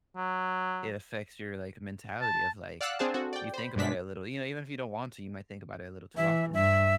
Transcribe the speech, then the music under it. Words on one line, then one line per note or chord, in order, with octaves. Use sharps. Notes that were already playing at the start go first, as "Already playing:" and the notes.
it affects your, like, mentality of, like you think about it a little, you know, even if you don't want to, you might think about it a little too often.
F#3
A5
D5 F5 F#5 E6 F#6
C4 D4 G#4 C5 F5 A5
C4 F#4 A4
D5 G5
C5 B5
G2 B2 G#3 D4 B6
E3 E5
G2 E5